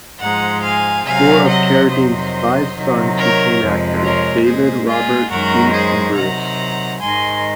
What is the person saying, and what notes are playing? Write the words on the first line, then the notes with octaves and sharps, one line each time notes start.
Four of Carradine's five sons became actors: David, Robert, Keith, and Bruce.
G#2 F3 G#3 F#5 A#5
F5 G#5
C3 F#3 F5 G#5
D#5 F#5
F2 C3 D#3 F#3 C5 D#5
C3 D#3 F#3
A#4 C#5
F2 C3 F3 G#3
A#4 C#5
A#2 G#3 G#4 C5
F4 G#4
F#2 D#3 G#3 F#4 A#4
G#4 C5
C3 D#3 F#3 F#5 A#5
G#2 D#3 G#3 G#5 C6